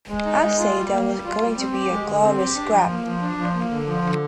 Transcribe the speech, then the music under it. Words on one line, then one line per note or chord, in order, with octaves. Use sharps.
I'd say there was going to be a glorious scrap.
G#3
D#4
G#3
F4
G3
A#3
G3
F4
G3
C4
G4
G#3
D3
C4
G4
D4
F3
A#3
F3
D4
F3
A#3
D3
F3
D3